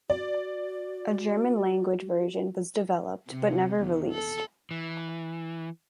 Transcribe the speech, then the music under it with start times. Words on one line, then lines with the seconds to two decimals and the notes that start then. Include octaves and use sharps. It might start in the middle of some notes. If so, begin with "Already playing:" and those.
A German language version was developed, but never released.
0.10 F#4 D5
3.29 C3 C4
3.79 E2 D#3
4.10 A4
4.71 E3